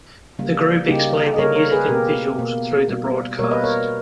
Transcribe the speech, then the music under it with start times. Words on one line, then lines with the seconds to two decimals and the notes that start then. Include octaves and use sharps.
The group explained their music and visuals through the broadcast.
0.39 C#3 G3 A#3
0.88 C#3 G3 A#3 D#4 G4
1.34 D#5
1.39 C#3 G3 A#3 A#4 C#5
1.55 A#4 C#5
1.71 G#4 B4
1.88 B2 A#3 G4 A#4
2.39 B2 A#3
2.88 B2 G3 A#3
3.39 B2 G3 A#3 A#4 C#5
3.51 B4 D#5
3.64 A#4 C#5